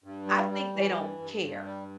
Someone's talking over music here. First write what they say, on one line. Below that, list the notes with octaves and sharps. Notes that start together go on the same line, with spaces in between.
I think they don't care.
G2
G3
G3
E3
G2
G2
G2
G3